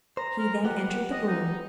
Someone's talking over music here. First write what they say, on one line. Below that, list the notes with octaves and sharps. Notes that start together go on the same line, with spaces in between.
He then entered the room.
C5 A#5
A#4
F3 B3 G4 F#5
D#5
D#4